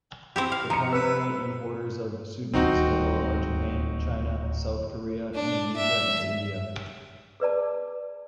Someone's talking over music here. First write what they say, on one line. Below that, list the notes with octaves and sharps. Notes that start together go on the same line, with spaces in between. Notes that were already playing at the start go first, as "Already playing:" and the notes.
The primary importers of Sudanese oil are Japan, China, South Korea, Indonesia, and India.
C4 E4 G4
F5
F3 A#5 C#7
B4 E6
D1 D#2 G3 C4 D#4 F#4
D4
E5
G#4 B4 D5 A5